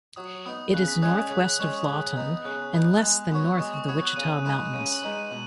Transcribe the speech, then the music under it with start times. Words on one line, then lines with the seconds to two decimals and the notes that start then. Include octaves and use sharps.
It is northwest of Lawton and less than north of the Wichita Mountains.
0.16 F#3 D#6
0.46 B3 D#4 D#6
0.74 C#3 F#6
0.88 B6
1.02 G#3 C#4 G#4 C#5 F#6
1.17 D#6
1.30 C#3
1.59 G#3 C#4 G#4 C#5
1.88 C#3
2.16 B3 D#4
2.45 C#3 F#6
2.73 B3 D#4
3.03 G#3
3.31 B3 F#4 C#5
3.59 G#3 D#6
3.74 C#6
3.88 B3 F#4 C#5 D#6
4.03 F#6
4.16 C#3 D#7
4.45 G#3 D#4 B4 D#7
4.74 C#3 D#7
4.93 F#7
5.03 G#3 D#4 B4
5.12 D#7
5.31 B2